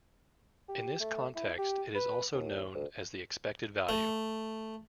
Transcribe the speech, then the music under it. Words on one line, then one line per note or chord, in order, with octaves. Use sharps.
In this context, it is also known as the expected value.
G4
A3
E4
G4
B4
D#2
D2
A3